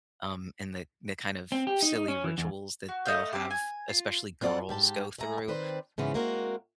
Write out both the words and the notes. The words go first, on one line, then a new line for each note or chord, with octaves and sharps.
um, and the the kind of silly rituals that they'll have, especially girls, go through
C4
G4
D#4
D#4
C#4
E3
E2
F#4
A3 D#5 F5 G6
C4 G4
G#5
F4
F#3 C4 F4 D5 F#5 A5
G#2 G4 A5
G#3 A3 G#4 A#5
D#3 C4 B4 C5 D5
G#2 C#3 E3 B3
G#3 A#3 C4 F#4 A#4